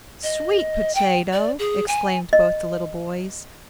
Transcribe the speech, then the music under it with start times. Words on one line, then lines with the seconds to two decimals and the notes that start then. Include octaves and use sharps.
"Sweet potato!" exclaimed both the little boys.
0.23 D#5
0.95 G5
1.33 D5
1.59 G#4
1.88 G#5
2.33 D#5